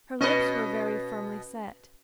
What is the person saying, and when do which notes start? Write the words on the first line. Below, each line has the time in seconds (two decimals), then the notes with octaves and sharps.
Her lips were very firmly set.
0.21 B2 C#4 B4 D#5